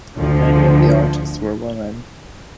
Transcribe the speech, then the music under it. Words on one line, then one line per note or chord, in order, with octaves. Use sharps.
Many of the artists were women.
D2 D3 F3